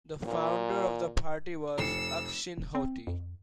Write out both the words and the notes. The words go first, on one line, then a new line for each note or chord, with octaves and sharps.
The founder of the party was Ukshin Hoti.
A#2
F1 E6 C7 C#7
D#1
C4
F2